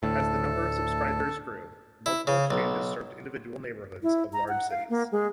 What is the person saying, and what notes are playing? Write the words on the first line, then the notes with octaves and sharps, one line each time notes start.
As the number of subscribers grew, multiple exchanges served individual neighborhoods of large cities.
D2 A2 A4 A5
E4
C#3
B1
E4
A#5
F#5
F5
A#3
G#3